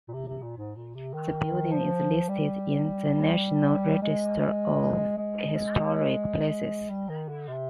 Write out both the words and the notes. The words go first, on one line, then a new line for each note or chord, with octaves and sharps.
The building is listed in the National Register of Historic Places.
A#2
C3
C3
A#2
G#2
A#2
C3
D#3
F3
G3
G#3
G#3
G3
D#3
D3
C3